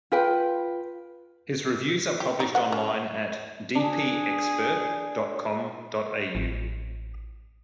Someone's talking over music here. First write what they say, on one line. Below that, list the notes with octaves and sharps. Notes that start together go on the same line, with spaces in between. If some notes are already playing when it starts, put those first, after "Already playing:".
His reviews are published online at dpexpert dot com.au.
F4 B4 G5
G4
D#4
F#5
C#4
D4 G#4
A1